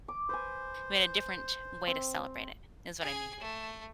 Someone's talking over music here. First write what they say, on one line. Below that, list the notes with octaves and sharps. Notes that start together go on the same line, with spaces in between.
I mean, a different way to celebrate it is what I mean.
D6
B4 C5 G#5
C4
G#4 G#5
A3